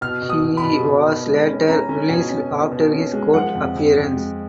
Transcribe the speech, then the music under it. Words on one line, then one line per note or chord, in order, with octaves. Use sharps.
He was later released after his court appearance.
B2 F6
B2
D#6
B2
B5
B2
B2
B2
G#3
C#4
C#4 A#5
C#4
B2 G#5
C#4
B2
B2
C#4
G#3
F3 F#5
F2
F2
F2
G#3